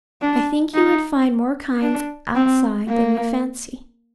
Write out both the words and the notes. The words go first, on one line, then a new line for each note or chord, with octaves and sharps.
I think you would find more kinds outside than you fancy.
D4
D#4
D4
C4
A#3